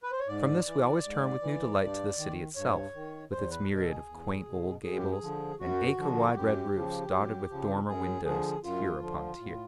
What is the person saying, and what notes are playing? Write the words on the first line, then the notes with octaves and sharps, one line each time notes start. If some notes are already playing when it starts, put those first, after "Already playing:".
From this we always turned with new delight to the city itself, with its myriad of quaint old gables and acre-wide red roofs dotted with dormer windows, tier upon tier.
B4
C5
C#5
G#2 D5
E3
G#2
E3
G2
D#3
G2 C#5
D#3
E2 C5
B4
B2 A#4
A4
G#4
E2
B2
F#2 G#4
G4
G#4
D3 F3
F#2 F#4
D3 F3
F4
F#4
F#2 G4
C#3 F3
F#2
C#3 F3
F#2 G#4
D3 F3 G#4
F#2 F4
D3 F3
A2